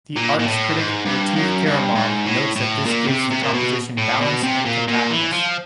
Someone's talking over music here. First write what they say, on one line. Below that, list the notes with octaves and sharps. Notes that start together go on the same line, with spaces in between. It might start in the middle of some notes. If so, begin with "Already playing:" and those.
The arts critic Latif Kerimov notes that this gives the composition balance and compactness.
A#2
A#2
A2
G#2
G2
F#2
G2
G#2
A2
A2
A#2
C3
C3
A#2
B2
A2
B2
C3
A#2
A#2
E3
F3